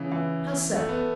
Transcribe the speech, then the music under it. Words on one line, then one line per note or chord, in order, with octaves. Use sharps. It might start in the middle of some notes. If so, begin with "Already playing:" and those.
"How so?"
Already playing: C#3 E3
E3
A3
B3